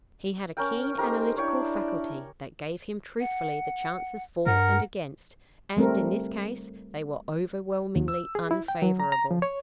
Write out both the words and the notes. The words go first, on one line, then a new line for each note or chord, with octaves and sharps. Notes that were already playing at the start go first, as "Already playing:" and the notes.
He had a keen analytical faculty that gave him truthfully the chances for and against, and, in this case, they were overwhelmingly unfavorable.
C#4 A#4 G5
D#4 G4 A4 A#4 C5 A#5
D4 E4 C#5 G5
F#5
G2 A#4 F#5
G3 A3 C4 A#4
D#2
E6
G#4
E4
G5
F#3
A#5
A#5
F3
C#5